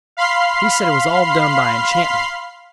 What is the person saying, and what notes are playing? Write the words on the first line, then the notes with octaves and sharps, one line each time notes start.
He said it was all done by enchantment.
F5 B5 C6 F6 C7